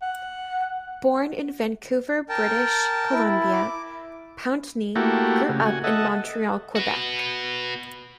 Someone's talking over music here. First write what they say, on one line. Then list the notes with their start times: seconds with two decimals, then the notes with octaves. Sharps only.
Born in Vancouver, British Columbia, Pountney grew up in Montreal, Quebec.
0.02 F#5
2.29 A#4 G5 A5
3.13 E4
3.52 D6
4.96 A3 A#3 E4 F#4 G4
5.49 C#3
5.66 F#4 G#5
5.84 A4 D#5 E5 F#5
6.75 F#4 B4